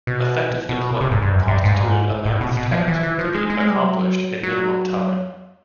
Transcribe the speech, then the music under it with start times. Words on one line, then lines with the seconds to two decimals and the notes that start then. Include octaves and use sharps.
Effective deployment constituted a mammoth task to be accomplished in minimum time.
0.07 B2
0.69 B2
1.01 C3
1.11 G#2
1.22 G2
1.32 F#2
1.48 G2
1.64 G#2
1.72 G2
1.80 G#2
2.25 A2
2.41 B2
2.57 B2
2.72 F3
2.88 E3
3.03 E3
3.19 F3
3.34 G#3
3.50 G#3
3.60 G#3
3.70 G3
3.80 F#3
4.43 F#3